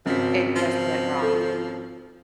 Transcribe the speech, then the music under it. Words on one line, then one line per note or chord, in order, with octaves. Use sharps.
it just went wrong,
G#1 C#3 F3 B6
F3
A4